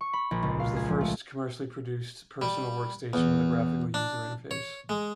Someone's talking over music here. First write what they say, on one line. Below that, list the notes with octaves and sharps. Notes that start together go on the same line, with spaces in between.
It was the first commercially produced personal workstation with a Graphical User Interface.
C#6
B5
A#1
C#2
F5
G#4
F3
A3
G3
E2
D4
C#5
G#3